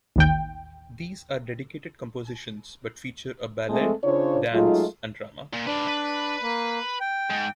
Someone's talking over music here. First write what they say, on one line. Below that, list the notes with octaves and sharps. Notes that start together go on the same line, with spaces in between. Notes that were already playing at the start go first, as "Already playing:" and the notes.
These are dedicated compositions but feature a ballad, dance and drama.
A1 D#2 G5
G#3 A3 C4 A4
C#3 D4 F4 C5 C#5
F#3 G#3 A3 D#4 F4
A#2
D4 B4 D5
B4
A#3
G5
G#2